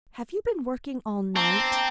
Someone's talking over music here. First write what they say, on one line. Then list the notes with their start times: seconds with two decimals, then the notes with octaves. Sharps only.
Have you been working all night?
1.36 C4 A5 A#5 D6